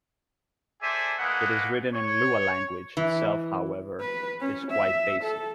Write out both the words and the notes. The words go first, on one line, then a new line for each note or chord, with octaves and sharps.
It is written in Lua Language itself however is quite basic.
G#4 A4 C5 D5 E5 G#5
A3 A#3 D#4 G#4 B4 F#5
C#5
E3
B4
C#4
E5
A4